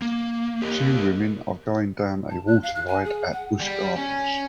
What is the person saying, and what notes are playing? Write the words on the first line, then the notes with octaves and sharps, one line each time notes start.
Two women are going down a water ride at Busch Gardens.
A#3
G4 A#4 D#5
A5
F#6
F5
F#6
G#5
G#4
F#5
G3
C#4